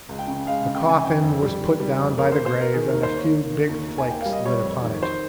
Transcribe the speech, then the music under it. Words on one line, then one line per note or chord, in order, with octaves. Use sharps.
The coffin was put down by the grave, and a few big flakes lit upon it.
C#2
G5
C#3
G#3 F5
F5
C#3
G5
C#3 G#5
F2 G5
F2
G3
D#3
G3
F2
A#3 A#4
A#3 C5
C5
A#3 A#4
D#3 G#4
A#4
D#2
C5
A#3 C#5
A#3
D#3
D#2
D#2
G#5
A#3 G5
G3 F5
D#5
G3 C#5
F2
D#3
D#3 C5